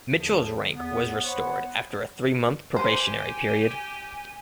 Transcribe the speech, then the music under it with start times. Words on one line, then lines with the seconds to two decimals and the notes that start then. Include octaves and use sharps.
Mitchell's rank was restored after a three-month probationary period.
0.14 E2 D3 F3
0.73 E2 B3
1.24 B3 C5 C#5 F#5
2.76 G4 C5 G#5